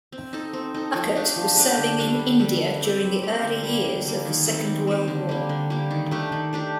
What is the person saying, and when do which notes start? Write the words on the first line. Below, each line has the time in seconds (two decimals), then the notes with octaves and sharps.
Urquhart was serving in India during the early years of the Second World War.
0.12 C4
0.33 D#4 A4
0.53 C4
0.74 D#4 A4
0.95 F3
1.15 A3 D4 G4
1.36 F3
1.57 A3 D4 G4
1.77 D3
1.98 G3 D4 A4
2.19 D3
2.40 G3 D4 A4
2.60 G3
2.81 C4 G4
3.02 G3
3.22 C4 G4
3.43 D3
3.63 G3 A#3
3.84 D3
4.05 G3 A#3
4.25 D#3
4.46 G3 C4
4.66 D#3
4.87 G3 C4
5.08 D3
5.29 G3 A#3
5.49 D3
5.70 G3 A#3
5.91 D#3
6.11 A3 D4 G4
6.32 D#3
6.53 A3 D4 G4